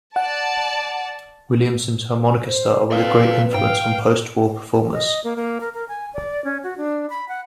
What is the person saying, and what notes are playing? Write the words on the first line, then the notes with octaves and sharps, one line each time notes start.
Williamson's harmonica style was a great influence on postwar performers.
D5 F#5 A5
C5
C4 F4 A4 B4 D5 F5
G#2 F5 G5
D#5
A#3
A#3
A#4
A#4
G#5
D5
C#4
F#4
D4
B5
F#5